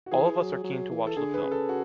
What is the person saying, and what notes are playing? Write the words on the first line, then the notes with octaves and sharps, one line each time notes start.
All of us are keen to watch the film.
F#4
E3 G#4
F#3
F#3
E3
A4
D3 G#4
B4
C#3
A4
F#4